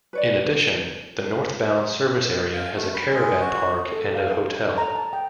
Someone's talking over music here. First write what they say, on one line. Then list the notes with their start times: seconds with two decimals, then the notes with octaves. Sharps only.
In addition, the northbound service area has a caravan park and a hotel.
0.13 B4 C#5 D5
2.54 F5
2.76 A3
2.95 B5
3.13 G#3
3.40 F#4
3.92 A4
4.15 F5
4.63 A4
4.78 A#5
4.95 A5
5.13 G5